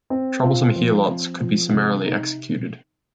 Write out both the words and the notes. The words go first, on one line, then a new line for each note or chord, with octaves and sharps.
Troublesome helots could be summarily executed.
C4
F4
F3
C4
F3
C3
D#4